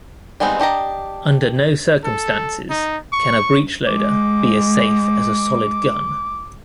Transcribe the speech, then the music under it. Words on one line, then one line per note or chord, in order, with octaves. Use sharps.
Under no circumstances can a breech-loader be as safe as a solid gun.
G3 G#3 B3 C4 D#4
D4 G4 D#5 A#5
A4
D#4
C#6
G#3 D6